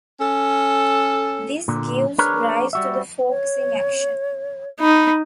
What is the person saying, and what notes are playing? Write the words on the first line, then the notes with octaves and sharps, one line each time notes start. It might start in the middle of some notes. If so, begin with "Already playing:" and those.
This gives rise to the focusing action.
C#4 A4
A#2 D3
D4 G#4 A#4 B4 C#5
G3 F#4 E5
C#5
D#4 B5